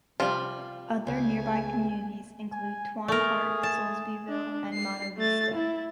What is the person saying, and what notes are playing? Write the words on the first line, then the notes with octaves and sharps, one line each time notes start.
Other nearby communities include Twain Harte, Soulsbyville, and Mono Vista.
C3 F3 G3 F4
C#2 G#5
G#5
A3 G#4 A#4
A5
D4
C7
A3 A6
E4